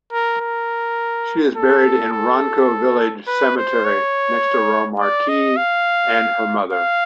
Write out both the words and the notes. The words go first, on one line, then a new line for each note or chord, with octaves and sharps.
She is buried in Ronco Village Cemetery, next to Remarque and her mother.
A#4
A#4
A4
A4
B4
C5
C#5
D5
D#5
F5
F5